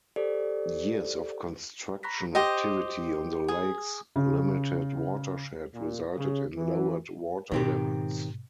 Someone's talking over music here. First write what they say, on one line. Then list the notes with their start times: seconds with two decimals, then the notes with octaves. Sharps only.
Years of construction activity on the lake's limited watershed resulted in lowered water levels.
0.16 G4 A4 C5 D5
2.03 A#5 B5 C#6 F#6 A#6 B6
2.35 G4 C5 D#5
3.48 G#4
4.16 C#3
5.74 A#2
6.17 C#3
6.55 E3
7.52 G#2 B2 D#3 C4 G4